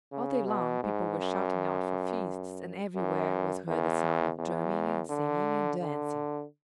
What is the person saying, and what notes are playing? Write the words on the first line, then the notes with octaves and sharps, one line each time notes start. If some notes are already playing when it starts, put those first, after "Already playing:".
All day long people were shouting out for feasts, and everywhere was heard the sound of drumming and singing and dancing.
C#3
B2
G#2
F#2
F#2
E2
E2
D3
D3